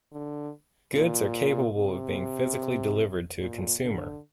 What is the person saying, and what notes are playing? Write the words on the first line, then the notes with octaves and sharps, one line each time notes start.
Goods are capable of being physically delivered to a consumer.
D3
A#2
C3
A#2
D3